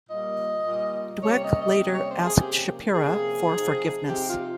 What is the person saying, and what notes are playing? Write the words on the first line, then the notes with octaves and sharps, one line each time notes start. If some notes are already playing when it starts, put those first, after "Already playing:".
Dwek later asked Shapira for forgiveness.
A#2 G3 A#3 F4 D#5
A#2 G3 A#3 F4
C3 G3 A#3 C#4 C#5
D#5
D#5
C3 G3 A#3 C#4 D#5
C#5
C5
G#4
C3 F3 A#3 C#4 G4
C3 F3 A#3 C#4 G#4
C3 F3 C4 D#4
C3 F3 C4 D#4 G4
F4